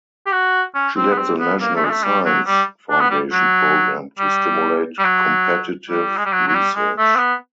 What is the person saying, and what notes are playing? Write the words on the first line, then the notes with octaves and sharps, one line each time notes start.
She led the National Science Foundation Program to Stimulate Competitive Research.
G4
F#4
C#4
C4
B3
C4
B3
A#3
A3
G#3
A3
G3
F#3
G3
D4
B3
G3
F#3
G3
G3
F#3
G3
G#3
G3
F#3
F#3
G3
G#3
A3
C4
B3